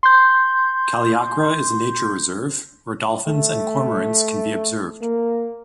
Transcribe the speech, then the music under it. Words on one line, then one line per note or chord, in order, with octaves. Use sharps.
Kaliakra is a nature reserve, where dolphins and cormorants can be observed.
C6 G6
A3
A#3